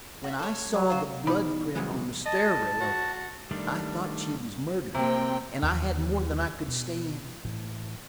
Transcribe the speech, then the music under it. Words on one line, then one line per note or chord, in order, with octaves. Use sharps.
When I saw the blood print on the stair rail, I thought she was murdered, and I had more than I could stand.
F#4 E5
A4 C#5
F#3
F4 C5
B2 E3 D#4 D5 B5
F#2 A#2 C#3 E3 G3 G#3
D#5 A5
F#4
D#3 G3 A3 D4
C3 A#3 C4 G5
D#2 F3
B2
A2 E3